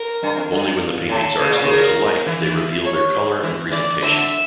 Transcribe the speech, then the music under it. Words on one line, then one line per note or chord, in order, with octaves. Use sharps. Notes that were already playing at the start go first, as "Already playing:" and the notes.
Only when the paintings are exposed to light they reveal their colour and presentation.
Already playing: A#4
G2
F2
G2
A2 A4
C#3
A#2
C#3
A#4
E3
C#5
E3
E3 D5
D3 E5